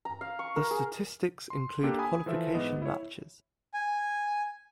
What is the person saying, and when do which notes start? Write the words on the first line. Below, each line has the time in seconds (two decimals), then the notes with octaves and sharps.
The statistics include qualification matches.
0.05 A#5
0.21 F5
0.39 C#6
0.56 A#4
0.71 G#4
1.50 C6
1.83 A#3 D4 G4 A4
1.99 G#5 B5 D#6
2.26 E3 F3 A4 E5
2.54 G#2 B3 D#5
2.82 E4 C#5
3.74 G#5